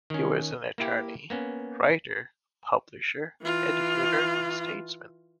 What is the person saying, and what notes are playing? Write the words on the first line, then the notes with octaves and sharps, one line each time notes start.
He was an attorney, writer, publisher, educator, and statesman.
D#3 C#4
A#3 E4 G4
A#3 B3 C#4
E3 F4